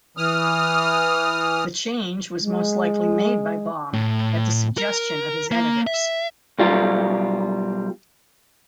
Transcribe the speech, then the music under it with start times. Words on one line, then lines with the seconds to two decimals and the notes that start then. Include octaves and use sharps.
The change was most likely made by Baum at the suggestion of his editors.
0.17 E3 D#6 F6
2.39 G#3
3.93 A2
4.78 A#4
5.51 A#3
5.87 E5
6.59 B1 G3 F4